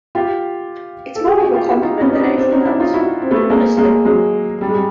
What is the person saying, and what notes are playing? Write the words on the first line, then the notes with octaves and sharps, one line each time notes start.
It's more of a compliment than anything else, honestly.
F4 G4
A4
F#4 G#4
G4
F#4 G#4
F4 G4
E4 F#4
D#4 F4
B3 C#4
D#4
C4 D4
C4 D4
C#4 D#4
D4 E4
D#4 F4
E4 F#4
C4
A3 B3
G#3 A#3
G#3 A#3
F#3 G#3
G3
G#3
G3